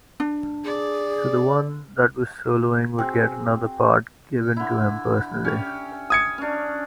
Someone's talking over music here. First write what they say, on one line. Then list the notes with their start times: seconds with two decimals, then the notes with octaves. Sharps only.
So the one that was soloing would get another part given to him personally.
0.20 D4
0.64 G#4 D5
2.98 C4 F#4 G#4
4.57 D3 E4
5.45 C#4 G4
6.10 D#6 G#6 C#7
6.38 C#4 D4